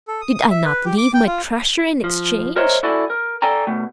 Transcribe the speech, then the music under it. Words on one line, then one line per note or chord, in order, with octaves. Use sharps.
"Did I not leave my treasure in exchange?"
A4
D#6
D#6
E5
B4
G4
D6
G5
F4
F3
A#4 C5 C#5 D#5 E5 A#5
E4 F#4 A4 D5 G#5
A#4
A4 D5 G5 G#5 A#5
B2 A3